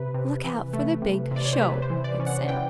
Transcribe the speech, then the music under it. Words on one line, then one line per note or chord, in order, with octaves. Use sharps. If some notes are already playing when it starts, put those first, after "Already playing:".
"Look out for the big show," read Sam.
Already playing: C3 B4
C3
E3
A3
C3
C3 D5
C#5
C5
C3 B4
C5
E3
D5
C#4
F#5
E3 G5